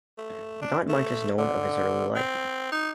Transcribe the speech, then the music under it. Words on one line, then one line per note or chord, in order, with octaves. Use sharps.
Not much is known of his early life.
A3
D4
A3
D3
C4
D#4